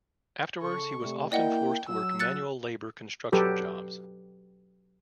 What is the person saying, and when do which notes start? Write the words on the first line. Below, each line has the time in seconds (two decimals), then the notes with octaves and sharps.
Afterwards he was often forced to work manual labor construction jobs.
0.62 C#3 A4 C#6
1.02 C3 G3 A3
1.32 A#3 E4 D5 D#5 F#5 G5
1.89 F#3 E6
2.19 F#6 A6 C#7
3.32 F#3 G4 A4 B4